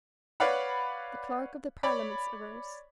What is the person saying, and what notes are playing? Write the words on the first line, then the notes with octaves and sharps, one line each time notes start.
The Clerk of the Parliaments arose.
B4 C#5 D5 F5 F#5 B5
C#5 D5 B5